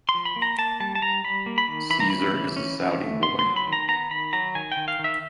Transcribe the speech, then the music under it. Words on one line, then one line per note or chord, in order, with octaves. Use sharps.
Cesar is a Saudi boy.
C6
F3
B5
A#3
A#5
A#3 A5
G3 A5
A5
G3 A#5
G3 B5
A#3
B5
D#3
E3 B5
A#5
C#4 B5
E3
C#4
E3
A3
B3 C6
C6
F#3
B5
D#3
A#5
B3 A#5
D#3 B5
F#3 A#5
D#3 G#5
G5
D#3
F5
D#3
E5